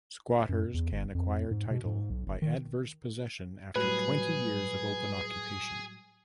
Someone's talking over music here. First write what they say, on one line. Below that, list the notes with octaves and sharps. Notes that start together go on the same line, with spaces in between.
Squatters can acquire title by adverse possession after twenty years of open occupation.
F#2
E2
G1
F2
G#2
B2
G#2
B1
G1
D#3
A2 F#3 G3 G#4 B4